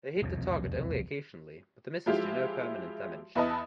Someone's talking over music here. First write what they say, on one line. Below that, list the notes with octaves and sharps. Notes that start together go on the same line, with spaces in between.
They hit the target only occasionally but the misses do no permanent damage.
E1 C2 F2
F3 F#3 G#3 E4 F4 G4
E2 E4 B4 D#5 A5 D#6